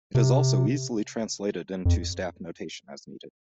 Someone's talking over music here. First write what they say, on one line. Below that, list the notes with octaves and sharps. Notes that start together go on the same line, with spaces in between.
It is also easily translated into staff notation, as needed.
C3
F2